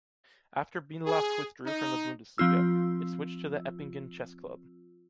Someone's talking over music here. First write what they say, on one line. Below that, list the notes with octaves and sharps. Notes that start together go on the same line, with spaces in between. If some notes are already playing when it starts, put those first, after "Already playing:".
After Bindlach withdrew from the Bundesliga, it switched to the Eppingen Chess Club.
G#4
D#4
F3 C4 F4 E6